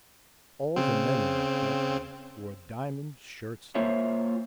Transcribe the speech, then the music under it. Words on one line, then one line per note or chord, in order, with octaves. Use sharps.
All the men in that factory wore diamond shirt-studs.
C#3 C4
A#3 F4 C5 C#5 E5